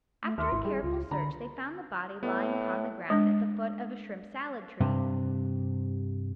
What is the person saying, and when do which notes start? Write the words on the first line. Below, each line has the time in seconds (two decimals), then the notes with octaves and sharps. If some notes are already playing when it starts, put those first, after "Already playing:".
After a careful search they found the body lying upon the ground at the foot of a shrimp-salad tree.
0.24 A3
0.38 D#2 E5 C6 D6 F6
0.52 G#1 E4
0.65 G3 G#4
0.83 C#2 F4
1.11 D3 A#5 B5
2.23 A2 B3
3.10 G#3 D4
4.81 G2 C3